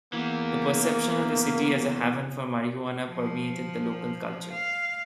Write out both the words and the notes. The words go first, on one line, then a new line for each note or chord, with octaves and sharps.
The perception of the city as a haven for marijuana permeated the local culture.
E3 A#3 B3
F3
F5